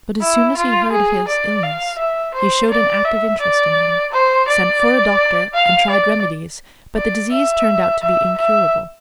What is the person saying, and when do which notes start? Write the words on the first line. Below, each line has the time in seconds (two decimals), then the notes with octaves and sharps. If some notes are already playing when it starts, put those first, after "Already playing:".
But as soon as he heard of his illness, he showed an active interest in him, sent for a doctor, and tried remedies, but the disease turned out to be incurable.
0.21 E4
0.57 F4
0.92 G#4
1.28 D5
1.63 F5
1.98 E5
2.34 C5
2.70 D5
3.05 E5
3.41 D5
4.12 C5
4.48 D5
5.54 F5
5.90 D5
6.96 D5
7.32 E5
8.02 E5
8.38 E5